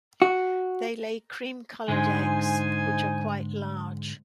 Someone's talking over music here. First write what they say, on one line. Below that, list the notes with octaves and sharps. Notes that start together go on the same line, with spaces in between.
They lay cream-colored eggs which are quite large.
F#4
G#2 D3 G#3 D#4 C5 G#5